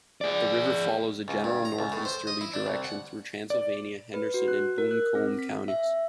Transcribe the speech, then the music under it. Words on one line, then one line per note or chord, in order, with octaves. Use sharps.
The river follows a general northeasterly direction through Transylvania, Henderson, and Buncombe counties.
G#4 D5
C#2
G2
A#5
C#2
A2
C5
D#5
E4
D4
C2
F#5
D5
B4
F#4
F#6
A#4
F#6
C4
B6
E5